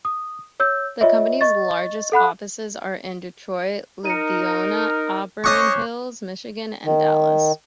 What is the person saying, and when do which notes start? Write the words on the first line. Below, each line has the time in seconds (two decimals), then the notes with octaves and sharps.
The company's largest offices are in Detroit, Livonia, Auburn Hills, Michigan and Dallas.
0.05 D#6
0.60 C#5 E6 G6
1.01 F4 C#5 D#5 E5
1.41 D#5 C#6 A6
2.12 A4 F#5 B5 F#6
4.05 D#4 A#4 C#7 D#7
5.44 C#4 C5 C#5 D#5 C#6 D6 F#6
6.85 D#3